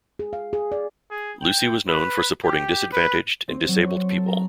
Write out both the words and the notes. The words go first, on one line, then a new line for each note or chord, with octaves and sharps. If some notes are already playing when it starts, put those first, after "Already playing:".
Lucy was known for supporting disadvantaged and disabled people.
G#4
F5
G#4
D5
G#4
G5
B4
G4
B4
C4
F#3
C#6
A4
A#5